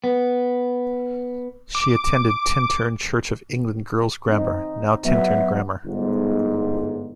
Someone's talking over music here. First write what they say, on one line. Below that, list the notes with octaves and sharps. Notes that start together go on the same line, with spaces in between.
She attended Tintern Church of England Girls' Grammar, now Tintern Grammar.
B3
D6
C4 D#4
F#3 B3 E5
G1 G#2